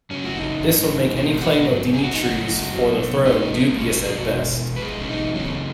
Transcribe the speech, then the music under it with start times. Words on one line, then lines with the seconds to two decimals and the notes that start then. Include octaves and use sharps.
This would make any claim of Dmitry's for the throne dubious at best.
0.11 F#2 C#3 F#3 C#4
0.25 F#4
0.37 D#4
0.63 G#2 D#3 F#3
1.16 B2 G#3
1.42 F#4
1.68 G#2 F#3
1.94 G#4
2.03 F#4
2.13 D#4
2.21 F#2 C#3 G#3 F#4
2.72 B2 F#3
3.25 G#2 G#3 D#4
3.41 C#4
3.52 B3
3.77 B2 G#3 C#4
3.91 F#4
4.04 G#4
4.17 F#4
4.30 B2 G#3
4.76 B4
4.82 B2 G#3 G#4
5.02 C#4
5.09 D#4
5.34 F#2 C#3 G#3 C#4